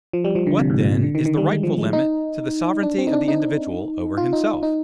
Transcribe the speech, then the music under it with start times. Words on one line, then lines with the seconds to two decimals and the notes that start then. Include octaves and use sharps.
What, then, is the rightful limit to the sovereignty of the individual over himself?
0.13 F3
0.24 G3
0.35 F3
0.47 D3
0.58 C3
0.70 G#2
0.81 A#2
0.92 C3
1.03 D3
1.15 D#3
1.26 D#3
1.37 G3
1.48 G#3
1.63 F3
1.78 G#3
1.93 D#4
2.83 D4
2.98 C4
3.07 D#4
3.13 D4
3.28 D#4
4.17 F4
4.33 D#4
4.63 D#4